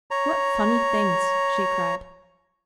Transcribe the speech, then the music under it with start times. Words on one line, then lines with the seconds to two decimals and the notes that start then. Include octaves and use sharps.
"What funny things!" she cried.
0.11 C#5 A#5